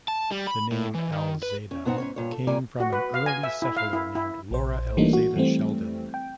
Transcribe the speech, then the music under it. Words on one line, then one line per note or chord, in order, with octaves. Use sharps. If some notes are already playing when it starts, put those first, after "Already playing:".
The name "Alzada" came from an early settler named Laura Alzada Shelden.
A5
G3
B5
A2
E3
D#3
B4
C#4
B2 B3 C4 D#4 F#5
G#2 C#4 C#5
G2 A#2 C#5
A4
A#2 G3 A#3 D5 G#5
F#4
B4
F5
G#5
E5
E4
F5
E4
E4
A#1 C5
E3 G3 A3 A#3 D4 D#4
F#4
E3 G3 A3 C4
G5